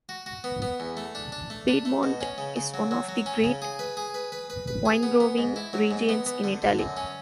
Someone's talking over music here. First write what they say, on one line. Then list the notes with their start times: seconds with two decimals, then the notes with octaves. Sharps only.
Piedmont is one of the great winegrowing regions in Italy.
0.09 F#4
0.26 F#4
0.44 B3
0.62 B3
0.80 E2
0.97 A3
1.15 D4
1.32 D4
1.50 A3
1.68 D4
1.85 A3
2.03 B2
2.21 C#4
2.38 C#3
2.56 C#3
2.74 F#3
2.91 F#3
3.09 F#3
3.26 C#4
3.44 C#3
3.62 G#4
3.79 B4
3.97 G#4
4.14 B4
4.32 B4
4.50 B4
4.68 B4
4.85 G#4
5.03 B3
5.20 B3
5.38 G#2
5.56 E4
5.73 F#3
5.91 G#2
6.09 B3
6.26 B3
6.44 D3
6.62 D3
6.79 F#2
6.97 C#4